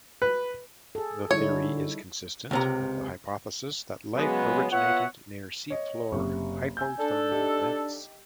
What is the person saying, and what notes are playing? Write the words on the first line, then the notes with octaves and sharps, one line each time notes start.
The theory is consistent with the hypothesis that life originated near seafloor hydrothermal vents.
B4
G#4 A4
D3 G3 D#4 E4 C#5
C#2 C3 A#5
C#3 F#3 G#3 B3
B3 F4 C#5 E5 F#5
C#5 D#5
F#1 C3 C#6
G#5 E6 G6
D4 A4
D#4 G4